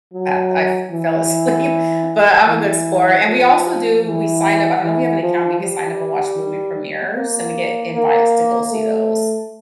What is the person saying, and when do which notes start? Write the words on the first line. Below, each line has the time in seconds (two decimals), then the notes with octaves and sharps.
I've I've fell asleep, but I'm a good sport, and we also do we sign up, I don't know if you have an account, we could sign up and watch movie premieres, and we get invites to go see those.
0.14 F#3
0.91 E3
2.48 E3
3.26 F3
4.04 E3
4.82 E3
5.21 F3
5.60 G3
7.16 A#3
7.95 A#3
8.73 A3